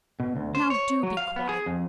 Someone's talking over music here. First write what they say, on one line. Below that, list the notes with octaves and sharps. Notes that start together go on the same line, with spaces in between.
'Now do be quiet.
B2
D2
C5
C#5
F#3
F5
B3
G#4
F2